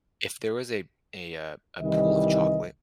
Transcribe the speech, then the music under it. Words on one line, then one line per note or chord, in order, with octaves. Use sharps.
If there was a a, uh, a pool of chocolate,
C2 D#3 E3 G3 D#5